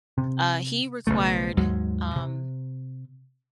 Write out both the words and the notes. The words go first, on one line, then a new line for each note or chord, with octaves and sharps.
uh, he required, um,
C3
B1 C#3 A3
D#2 G#2 F#3 G#3
C3